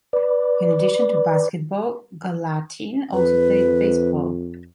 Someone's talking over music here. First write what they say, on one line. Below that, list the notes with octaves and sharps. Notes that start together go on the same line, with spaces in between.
In addition to basketball, Gallatin also played baseball.
B4 D5
F2 B4